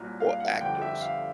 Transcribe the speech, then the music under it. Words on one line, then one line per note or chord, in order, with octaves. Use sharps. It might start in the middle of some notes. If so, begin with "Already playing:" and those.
or actors,
Already playing: C2 A#2 F#3 A#5
F5
F#5
G1 F2 D3 G3 G5
E5
F5